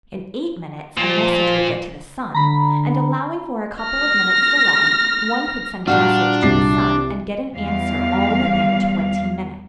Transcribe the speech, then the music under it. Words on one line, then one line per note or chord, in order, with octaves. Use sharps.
In eight minutes a message would get to the sun, and allowing for a couple of minutes' delay, one could send a message to the sun and get an answer all within twenty minutes.
A#2 F3
D3 A#5 B5
F6 A#6
A#2 G3 D4 F#4 F5
C2 D5 C7
E2 G3 F5